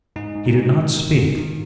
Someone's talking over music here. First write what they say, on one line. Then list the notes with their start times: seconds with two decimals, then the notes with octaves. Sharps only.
He did not speak.
0.16 G#2 D#4
0.35 G#2
0.46 D#4
0.56 G#2
0.76 D#3
0.96 D#3
1.17 G#2
1.37 D#3